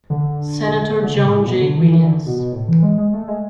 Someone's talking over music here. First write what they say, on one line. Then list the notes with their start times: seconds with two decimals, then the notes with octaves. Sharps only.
Senator John J. Williams.
0.10 D3
1.01 D3
1.13 C#3
1.23 A2
1.36 A2
1.46 B2
1.61 D3
1.77 E3
1.92 E3
2.03 D3
2.26 B2
2.37 B2
2.52 A2
2.68 E3
2.82 G#3
2.98 G#3
3.14 A3
3.28 G#3